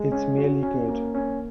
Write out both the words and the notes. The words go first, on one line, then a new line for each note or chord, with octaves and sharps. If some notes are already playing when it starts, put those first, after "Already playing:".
It's merely good.
Already playing: G#3
C#4
F#4
C#4
A#3
C#4